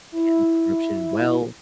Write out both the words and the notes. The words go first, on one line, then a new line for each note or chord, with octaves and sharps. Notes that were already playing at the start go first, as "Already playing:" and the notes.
handled corruption well?
E4